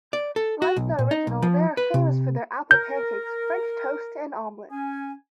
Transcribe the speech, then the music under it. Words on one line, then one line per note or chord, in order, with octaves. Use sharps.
Like the original, they are famous for their apple pancakes, French toast, and omelettes.
D5
A4
F#4
B1
A#2
D#4
B1
F3
B4
C3
A#4 G6
C#4 G#5